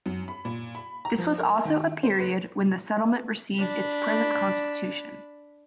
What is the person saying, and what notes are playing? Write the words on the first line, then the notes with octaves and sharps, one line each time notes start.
This was also a period when the settlement received its present constitution.
F#2
B5
A#2
B5
A#5
F3
A#4
D#3
C5
B4
D4 B5